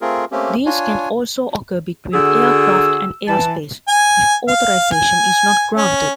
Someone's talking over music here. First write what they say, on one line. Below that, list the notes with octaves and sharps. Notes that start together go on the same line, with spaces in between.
Deals can also occur between aircraft and airspace, if authorization is not granted.
A3 C4 F4 G#4 A#4
A3 A#3 C4 C#4 G4
D4 F4 C#5 G#5
D3 F#4 G#4 E6
E3 A5
G#5
F5
G#5
C#4